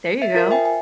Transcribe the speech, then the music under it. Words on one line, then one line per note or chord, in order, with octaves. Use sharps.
There you go.
E5
F4 A#4 C5
E5 G5 G#5
G#5